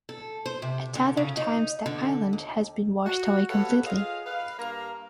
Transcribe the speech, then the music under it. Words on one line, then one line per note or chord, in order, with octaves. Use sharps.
At other times the island has been washed away completely.
A4
C5
C3
D3
C#3
D#4
D3
D#2
F#4
G4 A4 B4 C#5 F5 F#5
F4 G#4 D#5 F5
B4 F5
G2 A#3 F5 A#5